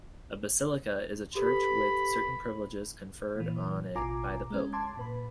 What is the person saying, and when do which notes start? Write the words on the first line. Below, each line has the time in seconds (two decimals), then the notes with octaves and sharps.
A basilica is a church with certain privileges conferred on it by the Pope.
1.35 G4 A4 B4 B5
3.36 A#2 E3
3.95 A1 B2 F4 G#5 A#5 D6
4.50 G#3 C#4
4.73 A5 C6 D6 G#6
4.97 A#2 B4 B5